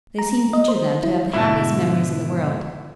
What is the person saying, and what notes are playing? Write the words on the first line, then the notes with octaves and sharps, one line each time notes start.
They seemed each of them to have the happiest memories in the world.
A#5
D#5
C5
E4
G#2 B2 D3 E4 A5